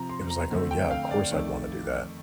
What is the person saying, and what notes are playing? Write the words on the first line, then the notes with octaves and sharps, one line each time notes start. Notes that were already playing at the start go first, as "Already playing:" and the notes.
it was like, "Oh yeah, of course I'd wanna do that."
Already playing: C3 F3 C4 A#5
C6
A#5
F2 D3 A3 C4
G5
F5
D5
F2 D#3 A3